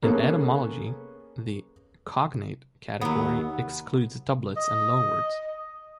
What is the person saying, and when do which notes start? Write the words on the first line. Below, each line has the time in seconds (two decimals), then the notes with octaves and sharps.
In etymology, the "cognate" category excludes doublets and loanwords.
0.03 A#3 B3 C#4 G#4 A4 B4
3.01 D#2 F#3 B3
4.57 D#5